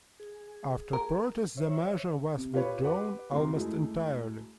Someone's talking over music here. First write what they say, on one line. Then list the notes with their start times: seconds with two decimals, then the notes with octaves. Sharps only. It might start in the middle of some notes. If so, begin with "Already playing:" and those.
After protests the measure was withdrawn almost entirely.
0.20 G#4
0.93 A#4
1.57 C5 C#5 E5
2.37 C3
2.54 F4 G4 B4 C#5 B5
2.83 G4 B4 F#5 D6
3.32 F#1 D#2 C4 A#4 C6
3.56 F#2 G#3 A3 E4